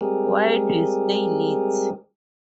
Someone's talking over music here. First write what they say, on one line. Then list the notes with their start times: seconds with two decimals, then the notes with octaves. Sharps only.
Why'd you stay late?
0.01 G3 G#3 C4 G4 G#4 A#4